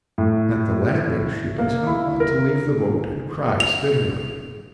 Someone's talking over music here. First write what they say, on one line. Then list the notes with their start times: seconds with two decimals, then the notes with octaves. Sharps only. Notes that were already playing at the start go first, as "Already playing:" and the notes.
At the landing she does not want to leave the boat and cries bitterly.
0.18 A2
1.58 A#3
1.87 E4
2.20 A#4
3.60 F7